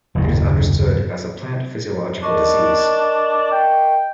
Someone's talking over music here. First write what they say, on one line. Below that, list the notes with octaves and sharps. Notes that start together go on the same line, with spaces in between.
It is understood as a plant physiological disease.
F#1 D#2 G#2
D4 A#4 D#5 C#6
G5